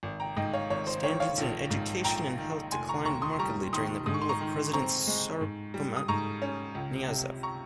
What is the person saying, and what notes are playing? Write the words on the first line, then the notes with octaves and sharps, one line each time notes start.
Standards in education and health declined markedly during the rule of President Saparmurat Niyazov.
G#1
G5 A#5
G#2 D#5 G5
C#5 F5
G#1 C#5
C5
D#3 C#5
C#5 F5
A#1
G#2
A#1 G5 A#5
D#3
F1 G#5 C6
A#5 C#6
D#2 A#5 C#6
C6 D#6
C6
G3 A#5 C#6
D#3 C6 D#6
G#2 D#6
C#6
C6
A#5 C#6
D#3
C4 A#5 C#6
G#3
G#2
G3
D#6
G#2 A#5 C#6
C#4
C#2
C3
A#5 C#6